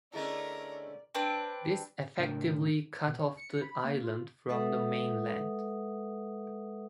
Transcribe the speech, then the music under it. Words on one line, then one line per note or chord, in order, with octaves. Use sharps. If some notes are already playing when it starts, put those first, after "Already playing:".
This effectively cut off the island from the mainland.
D3 A3 C#4 E4 G#4 A#4 D5 D#5
C4 D4 B4
A2 C#3 F#3 D4 A#4 G5
B2
C#5
C#7
B5
A#3
F4
G#3 A4 B4 E5 F#5 D#6